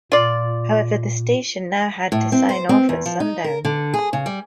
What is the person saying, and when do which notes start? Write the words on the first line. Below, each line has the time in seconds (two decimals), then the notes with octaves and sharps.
However, the station now had to sign off at sundown.
0.12 A#2 F4 D5
2.12 A2
2.32 C4
2.49 C5
2.69 C4
2.89 E2
3.06 F3
3.20 D#4
3.44 A#4
3.65 D3
3.94 G#4
4.13 C#3
4.26 G3